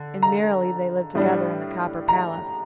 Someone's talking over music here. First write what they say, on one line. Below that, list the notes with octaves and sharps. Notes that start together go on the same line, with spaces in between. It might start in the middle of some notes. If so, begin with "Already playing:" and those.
And merrily they lived together in the copper palace.
Already playing: D3
A#5
A2 G3 D4
A#5